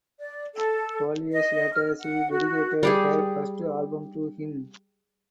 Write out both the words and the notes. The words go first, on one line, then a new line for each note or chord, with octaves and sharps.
Twelve years later she dedicated her first album to him.
D5
A4
D#5
F6
F#5
F#4
G3 G4 G#4